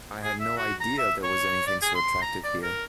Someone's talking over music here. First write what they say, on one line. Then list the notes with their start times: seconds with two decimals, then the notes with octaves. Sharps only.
I had no idea there was anything so attractive here.
0.23 G#4
0.40 E5
0.57 F#4
0.81 A#5
0.98 E5
1.23 C#5
1.66 D5
1.82 G#4
1.95 C6
2.22 A#5
2.44 D5
2.63 A#4